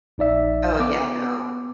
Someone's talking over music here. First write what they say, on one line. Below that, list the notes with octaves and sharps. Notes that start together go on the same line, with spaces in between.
Oh, yeah, no.
A#1 D#4 D5 E5
B3 D6